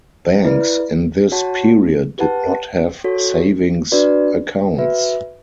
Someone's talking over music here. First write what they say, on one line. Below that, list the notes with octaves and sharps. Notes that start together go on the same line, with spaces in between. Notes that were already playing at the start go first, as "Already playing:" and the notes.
Banks in this period did not have savings accounts.
E4 B4 D5
F#4 C#5 F#5 A5
G4 B4 F#5 A5
F#4 A4 C#5
D4 F#4 B4 D5
F#4 B4 E5